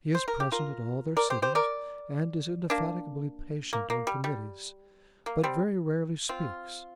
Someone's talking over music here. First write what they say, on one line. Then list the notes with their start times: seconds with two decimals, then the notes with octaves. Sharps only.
He is present at all their sittings, and is indefatigably patient on Committees,--but very rarely speaks.
0.15 C5
0.28 A#4
0.40 G4
0.52 F4 A#4
1.17 A#4 D5
1.30 G4 C5
1.42 G4 C5
1.55 A#4 D5
2.70 A#3 D4
3.73 A#3
3.90 A#3
4.07 G3
4.24 G3
5.26 A#3
5.44 G3 C4
6.29 C4 F4